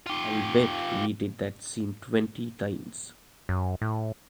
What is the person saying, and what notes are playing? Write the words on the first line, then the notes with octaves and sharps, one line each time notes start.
I'll bet we did that scene twenty times.
F4 G4
F#2
A2